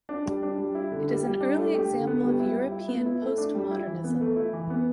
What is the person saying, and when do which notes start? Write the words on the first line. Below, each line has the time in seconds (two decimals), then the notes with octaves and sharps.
It is an early example of European Postmodernism.
0.09 D4
0.26 G3
0.43 D4
0.58 G3
0.75 E4
0.91 D3
1.09 G3
1.24 G3
1.41 D4
1.58 A3
1.74 G4
1.91 D3
2.07 B3
2.23 G3
2.40 E4
2.56 G3
2.72 E4
2.88 B3
3.06 E4
3.22 A3
3.38 D4
3.55 G3
3.71 E4
3.87 E3
4.04 B3
4.21 A3
4.36 E4
4.53 E3
4.70 B3